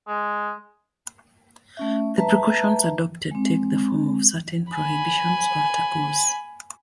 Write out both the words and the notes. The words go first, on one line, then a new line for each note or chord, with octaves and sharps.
The precautions adopted take the form of certain prohibitions or taboos.
G#3
A3 C#4 E5
B4 E5 A5 A#5
G#3 C4
G#5 B5